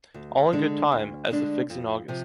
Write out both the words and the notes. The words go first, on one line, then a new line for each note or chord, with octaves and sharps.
All in good time, as the figs in August.
D2
D3 G#3 D4
D2
D3 G#3 D4
F2
C3 F3